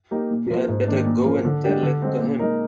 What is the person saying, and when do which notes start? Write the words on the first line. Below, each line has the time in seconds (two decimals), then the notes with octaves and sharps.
You had better go and tell it to him.
0.11 A#3 D#4 G4
0.30 A#2
0.50 F3 A#3 F4
0.68 G#2
0.88 D#3 A#3 D4
1.06 A#2
1.25 F3 A#3
1.45 D3
1.64 G#3 D4 G4
1.83 D3
2.02 G#3 C4
2.21 A#2
2.39 G#3 D#4 A#4